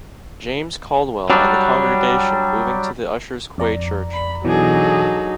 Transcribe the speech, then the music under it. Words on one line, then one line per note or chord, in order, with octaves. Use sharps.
James Caldwell and the congregation moving to the Ushers Quay church.
F#3 G3 D4
F2 D5 A#5
B5
B2 E3 F#3 D4 D#4 G#4 A4